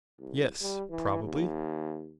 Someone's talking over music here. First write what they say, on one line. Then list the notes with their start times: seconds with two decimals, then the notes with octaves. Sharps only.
Yes, probably.
0.19 C2
0.61 G3
0.90 E3
1.23 D#2